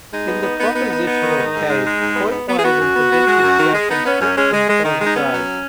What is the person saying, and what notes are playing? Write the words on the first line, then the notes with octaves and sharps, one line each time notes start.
In the propositional case, pointwise and predicate circumscription coincide.
G#3 D#4
B3
B3
B3
B3
B3
B3
D#3
G#2
G#2
G#3
G#3
G#2
B3
B3
B3
G#4
B3 F#4
F#2
B3
B3
G#3
F#2
D#3
G#3
B3 D#4
B3 C#4
F#2 C#4
G#3 C#4
G#3
G#3
D#3
G#3
D#4
B3 C#4
F#3